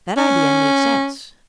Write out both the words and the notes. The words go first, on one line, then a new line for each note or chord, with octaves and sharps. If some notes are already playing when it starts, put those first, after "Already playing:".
That idea made sense.
C#4